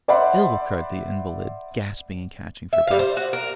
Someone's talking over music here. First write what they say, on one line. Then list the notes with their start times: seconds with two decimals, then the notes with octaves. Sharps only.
'Ill!' cried the invalid, gasping and catching for breath.
0.08 C5 D5 E5 F#5 B5 C6
2.73 E5
2.87 G3 F5
2.99 C5
3.17 F#4
3.33 A#4